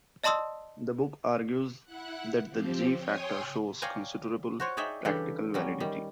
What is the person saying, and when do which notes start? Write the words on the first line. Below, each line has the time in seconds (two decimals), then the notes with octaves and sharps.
The book argues that the "g" factor shows considerable practical validity.
0.24 D5 D#5 A5 C6 D#6 E6
1.84 E4 F#5 F#6
2.49 F3 C4 G4
2.99 C#5 G5 G#5 C6 D#6
3.82 C#5 D5 F5 G5 G#5 A#5
4.60 F#4 C5 C#5
4.77 D#4 G#4 C#5 D5 E5 G5
5.05 C#3 E3 G3 D4 G4 A4
5.54 F#3 G3 C#4
5.80 D#3 G3